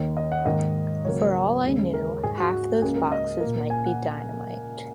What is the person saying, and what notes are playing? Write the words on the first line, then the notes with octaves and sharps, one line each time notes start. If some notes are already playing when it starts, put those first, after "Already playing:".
For all I knew half those boxes might be dynamite.
Already playing: D#2 D#3 A#3
D#5
F#5
G#2 D#3 A#3 D#5
C#2 C#3 F#3 A#3 C#5
D#2 C#3 G#3
A#4
G#2 G#3 G#4
F#4
C#2 C#3 A#3 G#4
A#4
D#5
A#2 A#3
G#5
F#5